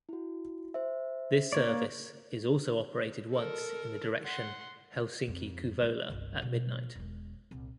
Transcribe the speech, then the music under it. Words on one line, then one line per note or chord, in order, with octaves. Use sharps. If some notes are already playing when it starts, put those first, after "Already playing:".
This service is also operated once in the direction Helsinki–Kouvola at midnight.
E4 F#4
C5 E5
A#3 C#5 D5
A4 A#4
F#5 C6
F2
G#3 D#4
G1 C2
B2
E1 G#3
C2 A#2